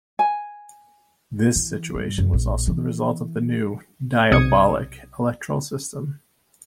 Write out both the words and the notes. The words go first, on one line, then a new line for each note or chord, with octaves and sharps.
This situation was also the result of the new "diabolic" electoral system.
G#5
E3
G2
F#2
A#1
E3
B1 C3 D#6 G#6 C#7